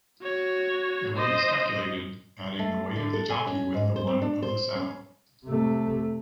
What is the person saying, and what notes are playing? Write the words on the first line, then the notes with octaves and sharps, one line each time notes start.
The weight is calculated adding the weight of the jockey with the one of the saddle.
F#4 C#5
C5 D#5
A3
D3
A4
G#5
C#4
G#2
C5
C4
D4
C5
C#4
C3 A3